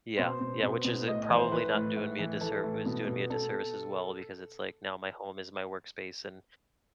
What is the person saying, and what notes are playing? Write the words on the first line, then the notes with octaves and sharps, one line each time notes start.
Yeah. Yeah. Which is i probably not doing me a disserv is doing me a disservice as well, because it's like, now my home is my workspace, and
B2 C5
B2
B2
B2
A2 D#5
D#5
E3
C5
E3 B4
A2
A2
E3
E3 A4
A2
B2
B2
B2 A4